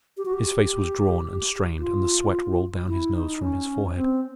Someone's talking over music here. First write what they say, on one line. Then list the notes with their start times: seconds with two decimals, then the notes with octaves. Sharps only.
His face was drawn and strained, and the sweat rolled down his nose from his forehead.
0.17 G4
0.26 F#4
0.33 G4
1.79 F4
2.88 E4
3.15 D#4
3.42 C#4
3.96 C4